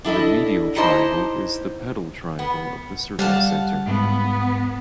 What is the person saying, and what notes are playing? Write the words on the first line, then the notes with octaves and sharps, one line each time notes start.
The medial triangle is the pedal triangle of the circumcenter.
D4 E4 A4 D#5
D#4 E4 G4 C5 D#5 A5
B3
G3 F5 F#5 A5
G#2 B3